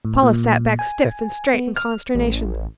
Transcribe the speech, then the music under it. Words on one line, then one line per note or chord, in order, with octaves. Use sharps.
Paula sat back stiff and straight in consternation.
A2
A#2
G#5
B3
F6
A1